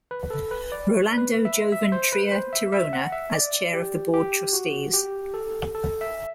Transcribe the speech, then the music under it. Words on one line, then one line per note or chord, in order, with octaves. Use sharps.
Rolando Joven Tria Tirona as chair of the Board Trustees.
B4
A4
B4
D5
B4
E5
E5
C5
B4
C5
E5
E5
F#5
E5
D5
G4
G4
F#4
G4
A4
A4
E5